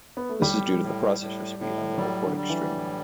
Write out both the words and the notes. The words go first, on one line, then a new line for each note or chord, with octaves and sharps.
This is due to the processor speed on the AirPort Extreme.
B3
A3
A2 G3
A2
A2
A2
F#3 G3
D3
G3
E3
A2